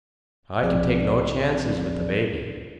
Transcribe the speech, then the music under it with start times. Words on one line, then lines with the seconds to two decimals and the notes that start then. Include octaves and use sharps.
"I can take no chances with the baby."
0.62 B1 F3 C4 G#4 D5